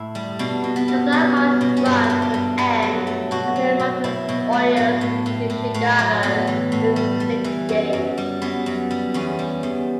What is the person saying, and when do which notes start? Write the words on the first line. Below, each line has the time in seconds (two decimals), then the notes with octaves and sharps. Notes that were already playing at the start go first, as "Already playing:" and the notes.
The Blackhawks run would end, as the Edmonton Oilers defeated Chicago in six games.
Already playing: A2 E4
0.15 G3
0.39 B2 D4
0.64 B2
0.76 B3
0.88 G3
1.12 B2 C#4
1.37 G3
1.61 B2
1.77 C#4
1.85 G2 D4
2.04 E4
2.10 G2
2.22 G4
2.34 G2
2.58 G2 D4
2.82 F#3
3.07 A3
3.31 B2 F#4
3.56 F#3
3.79 B2
4.04 B2 E4
4.29 B2
4.53 A3
4.77 A2 D4
5.01 A2
5.26 A2
5.50 A2
5.74 A2
5.99 F#3
6.23 A2 B3
6.47 E3
6.72 A2
6.96 G3
7.20 G3
7.44 E3
7.69 F#2
7.93 F#2
8.18 G3
8.42 F#2 B3
8.66 F#2
8.91 G3
9.14 E2 C#4
9.39 G3
9.63 E2